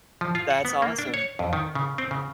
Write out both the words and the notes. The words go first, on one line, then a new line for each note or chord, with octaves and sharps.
That's awesome.
F3
F4
F#5
B3
A#3
D4
C#5
F2
D#3
C#3
C4
C#3